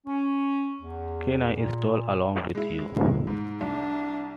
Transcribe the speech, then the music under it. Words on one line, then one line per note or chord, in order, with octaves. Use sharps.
Can I stroll along with you?
C#4
E2
A#2
G#3 E4
G#2
C2 D4